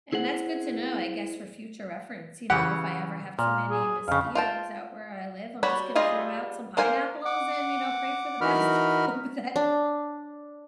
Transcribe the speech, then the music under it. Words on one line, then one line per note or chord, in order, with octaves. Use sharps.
And that's good to know, I guess, for future reference, you know, if I ever have too many mosquitoes out where I live, I'm just gonna throw out some pineapples, and, you know, pray for the best, and hope that
E4 G#4 C5 F#5
C#3 E3 G4 F#5
A#2 F5
G#4
F2 C#3 F5
F4 G5 A5
G3 F#4 C#5 B5
G3 F4 G#4 D#5
A#3 C5 F5 G#5
F#5 D6
E3 D#4 F#4 A#4 B5 F6
D4